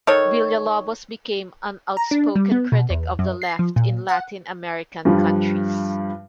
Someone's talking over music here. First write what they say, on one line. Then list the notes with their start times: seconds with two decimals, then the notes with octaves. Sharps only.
Villalobos became an outspoken critic of the left in Latin American countries.
0.07 D#3 A4 C#5
1.97 A#5
2.11 D4
2.36 G3
2.52 B3
2.72 B2
2.90 E2
3.19 F#2
3.42 C7
3.59 F3
3.76 A#2
4.09 F#5
5.05 G2 F3 G3